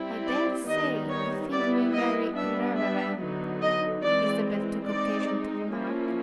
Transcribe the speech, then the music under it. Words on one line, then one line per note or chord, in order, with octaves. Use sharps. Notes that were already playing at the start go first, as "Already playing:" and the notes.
"I dare say you think me very irreverent," Isabel took occasion to remark.
Already playing: G3 C4 E4
D5
D#3 G3 B3 D#4 D#5
C#5
G3 B3 E4 D5
D#5
G3 B3 D4 E5
E5
D3 F#3 B3 D#4
D#5
E3 G#3 C4 D5
G#3 C4 D#4 D5
F3 A#3 C#4 E4